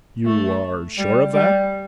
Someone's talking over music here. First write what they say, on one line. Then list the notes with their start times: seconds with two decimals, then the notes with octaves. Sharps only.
"You are sure of that?"
0.25 A3
0.98 G3
1.34 G3